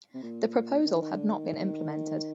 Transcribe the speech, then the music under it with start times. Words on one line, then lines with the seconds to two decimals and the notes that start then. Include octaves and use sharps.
The proposal had not been implemented.
0.14 C3
0.22 A#2
0.86 D#3
1.01 D#3
1.16 D3
1.32 D#3